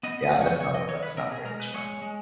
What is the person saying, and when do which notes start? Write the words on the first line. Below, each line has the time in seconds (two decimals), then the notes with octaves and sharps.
Yeah, that's not o that's not very much fun.
0.03 B3 D#5
0.23 D#5
0.32 F2
0.41 C#5
0.60 F2 C#5
0.74 D#5
0.88 D#3 C#5
1.03 B4
1.17 B2 A#4
1.31 G#4
1.45 G#3 A#4
1.60 B4
1.74 G#3 C#5
2.02 G#3